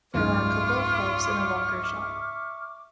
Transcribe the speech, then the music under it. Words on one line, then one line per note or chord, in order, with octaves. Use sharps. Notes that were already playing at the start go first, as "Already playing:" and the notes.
There are a couple of pubs and a walkers' shop.
F#1 C#2 G#2 F4 E5 C#6 D6 F6